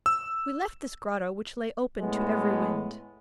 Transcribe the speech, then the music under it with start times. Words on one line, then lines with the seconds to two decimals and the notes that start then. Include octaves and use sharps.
We left this grotto which lay open to every wind.
0.06 E6
1.99 A2 G#3 A3 B3